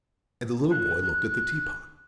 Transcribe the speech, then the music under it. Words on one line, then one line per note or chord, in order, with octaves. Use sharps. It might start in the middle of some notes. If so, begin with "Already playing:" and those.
And the little boy looked at the tea-pot.
F#6